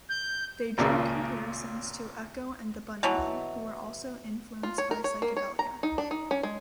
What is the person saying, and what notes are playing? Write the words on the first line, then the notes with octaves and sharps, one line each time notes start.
They drew comparisons to Echo and the Bunnymen, who were also influenced by psychedelia.
G6
G#1 C#2 A#2 C#3 A#3
B2 E3 F#3
F4
C#5
A#4
C#5
A#3
C#5
A#5
D#4
D4
D#4
C#4
G#3